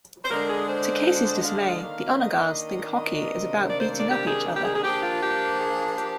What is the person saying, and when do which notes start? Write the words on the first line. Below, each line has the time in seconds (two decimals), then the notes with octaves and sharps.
To Casey's dismay, the Honor Guards think hockey is about beating up each other.
0.24 C5
0.31 D3 G#3 D4 A#4
0.49 G#4
0.69 C5
1.36 D#5
1.44 F5
1.81 D#3 A#3 D4
2.19 D#5
2.95 D#5
3.33 C3 D#3 A#3 D4
3.70 D5
3.80 C5
3.99 D5
4.08 G4
4.27 G#4
4.56 G4
4.65 G#4
4.75 G#4
4.84 F3 A#3 D4 G4
5.03 F4
5.21 G4
5.60 G#4
5.97 G4